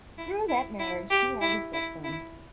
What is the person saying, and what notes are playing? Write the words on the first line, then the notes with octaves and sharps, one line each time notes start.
Through that marriage, she has a stepson.
E4
E4
E4
G4
E4
E4
E4